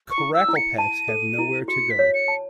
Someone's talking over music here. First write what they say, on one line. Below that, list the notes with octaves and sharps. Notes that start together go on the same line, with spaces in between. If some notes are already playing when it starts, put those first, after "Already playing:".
Karakalpaks have nowhere to go.
C#6
E4
E6
E4
C#7
A5 D#7
A4
E4
F#4 C#7
B6
C#5
C#7
A5